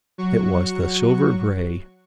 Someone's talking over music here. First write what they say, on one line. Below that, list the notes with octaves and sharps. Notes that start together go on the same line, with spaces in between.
It was the "silver-gray."
F#3 F#4 C#6